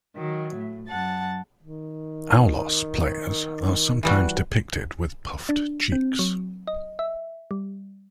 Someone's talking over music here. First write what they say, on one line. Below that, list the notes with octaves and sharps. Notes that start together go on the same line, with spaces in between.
Aulos players are sometimes depicted with puffed cheeks.
D#3 F#3
A2
F#2 F#5 A5 A6
D#3
E3 G3 F#4
D4
C4
F#3
D#5
E5
G3